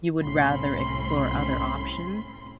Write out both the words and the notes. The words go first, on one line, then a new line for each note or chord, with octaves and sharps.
you would rather explore other options?
C2 A2 C4 C#4 B5 C6